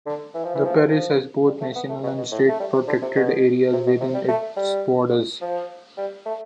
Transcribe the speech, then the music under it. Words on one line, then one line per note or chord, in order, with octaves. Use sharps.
The parish has both national and state protected areas within its borders.
D3
E3
F3
E3
F3
E3
F3
G3
A3
B3
A3
B2
B2
A2
A3
G3
C3
D3
C3
B2
C3
B2
C3
G3
A3
G3
F3
G3
A3